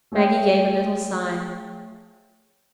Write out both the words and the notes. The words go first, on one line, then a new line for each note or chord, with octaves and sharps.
Maggie gave a little sigh.
A3 G#4 C#5 E5 G5